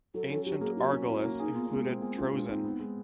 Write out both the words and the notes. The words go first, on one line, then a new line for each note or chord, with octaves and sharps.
Ancient Argolis included Troezen.
F#3 A4
C#4 A4
F#3 G4
A#3 G#4
F#3 G4
C#4
F#3 E4
A#3
D#4 G#4
B3 F4
G#3 B3
C4
B3 G#4
C4
C#4 F4
G#3 D4
C4 D#4
B3
G#3